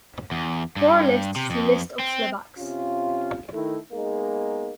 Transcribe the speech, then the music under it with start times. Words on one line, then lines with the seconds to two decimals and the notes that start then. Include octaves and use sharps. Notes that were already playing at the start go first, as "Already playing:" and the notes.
For a list see List of Slovaks.
0.31 E2
0.76 G2
1.36 C3
1.50 F2
1.99 C4
2.58 C3 C#4 F4
3.53 D#3 A3 E4
3.92 G#3 A#3 B3 D#4